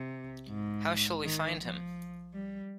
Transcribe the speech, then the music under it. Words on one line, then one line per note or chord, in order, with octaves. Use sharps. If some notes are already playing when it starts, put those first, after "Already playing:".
How shall we find him?
Already playing: C3
G#2
D#3
F3
G3